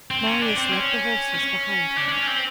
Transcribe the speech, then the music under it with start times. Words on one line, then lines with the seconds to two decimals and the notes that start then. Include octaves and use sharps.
Marius left the horses behind him.
0.11 C4
0.26 C#4
0.41 D4
0.57 C4
0.72 C#4
1.34 C#4
1.97 D4
2.08 D4
2.12 C#4
2.27 C4